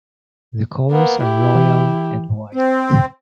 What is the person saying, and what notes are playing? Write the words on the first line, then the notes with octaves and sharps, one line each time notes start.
The colors are royal and white.
A#3 B3
E4 G4
E3
C4